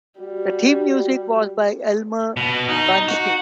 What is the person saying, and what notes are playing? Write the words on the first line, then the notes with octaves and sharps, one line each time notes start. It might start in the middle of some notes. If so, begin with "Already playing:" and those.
The theme music was by Elmer Bernstein.
G3 F#4
B2
D#4
F#4